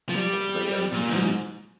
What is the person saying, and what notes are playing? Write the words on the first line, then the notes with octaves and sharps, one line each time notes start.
What are they going to do?
F3
G3
A#2
G#2